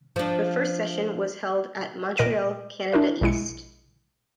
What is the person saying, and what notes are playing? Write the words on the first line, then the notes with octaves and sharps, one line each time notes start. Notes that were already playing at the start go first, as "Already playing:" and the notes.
The first session was held at Montreal, Canada East.
F3 D4
A#2 A#4 D#5 A#6 D7 D#7
D4 E4 A#4 E5
A#1 B2 G#3 E4 C#7